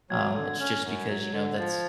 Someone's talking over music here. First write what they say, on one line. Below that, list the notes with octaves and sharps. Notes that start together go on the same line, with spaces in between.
Um, it's just because, you know, that's
F#3 G#6
D3
C#4
F#2
F#3
D3
F3 A6